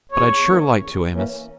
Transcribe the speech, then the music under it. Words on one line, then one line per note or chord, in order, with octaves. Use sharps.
But I'd sure like to, Amos.
E2 C#5
E3 A#3 C#4
E2
E3 A#3 C#4